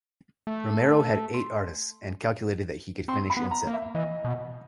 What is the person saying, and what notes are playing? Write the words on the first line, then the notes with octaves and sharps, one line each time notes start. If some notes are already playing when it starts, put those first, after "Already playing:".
Romero had eight artists, and calculated that he could finish in seven.
A3
C6
C4 C6
B5
B3
A#5
A#3
E5
E3 D#5
B2